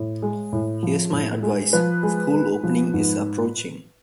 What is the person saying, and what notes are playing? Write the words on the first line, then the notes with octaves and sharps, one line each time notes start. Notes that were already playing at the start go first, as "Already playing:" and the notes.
Here’s my advice. School opening is approaching.
Already playing: A2
G#3
A2
F3
A2
G#3
F3 B4
G#3
G#3
F3
G#2